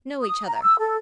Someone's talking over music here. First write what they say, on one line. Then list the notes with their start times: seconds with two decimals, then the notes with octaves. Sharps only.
Know each other.'
0.22 D#6
0.46 A#5
0.62 E6
0.78 A4